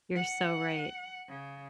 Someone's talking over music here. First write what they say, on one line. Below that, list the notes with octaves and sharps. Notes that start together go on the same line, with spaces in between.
You're so right,
F#5
C#3